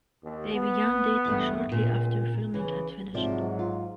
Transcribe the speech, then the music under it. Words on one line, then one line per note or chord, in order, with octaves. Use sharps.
They began dating shortly after filming had finished.
D#2
B3
E2 G2 A3
C#2 A#2
C#3 E3
G#2 C3 F3 F#3 D5
F4